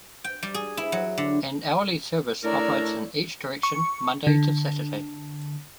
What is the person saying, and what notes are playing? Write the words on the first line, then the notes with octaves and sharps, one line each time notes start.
An hourly service operates in each direction Monday-Saturday.
G5
G3
G#4
E4
F#3
D3
A2 D4 A#4 C#5 D5 E6
C#6
D3